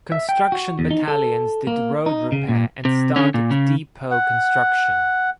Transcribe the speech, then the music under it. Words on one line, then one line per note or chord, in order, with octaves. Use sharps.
Construction Battalions did road repair and started depot construction.
E5
G5
F#4
E2
D#4
A4
A#3
D#4
C#3
A#2
C3
D3 C#4
A#2
C#3
F#5